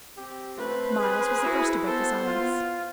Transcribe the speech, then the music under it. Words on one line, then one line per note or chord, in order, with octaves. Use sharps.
Myles was the first to break the silence.
C4 G4
A3 B4 C5
G#4
E4 F#4
B3 A4 C5
F4